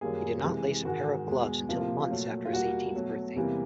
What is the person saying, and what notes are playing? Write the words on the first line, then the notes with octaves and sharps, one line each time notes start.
He did not lace a pair of gloves until months after his eighteenth birthday.
F#2 D#3 G3 A#3 G#4
C3 E3 G#3
G#2 D#3 G#3 F#4
E2 B2 G#3
C3 F3 A#3 F4
A#2 F#3 A3
F4
E2 B2 G3 A#3 F#4
B2 F#3 A3
E2 C3 E3 G3 A#3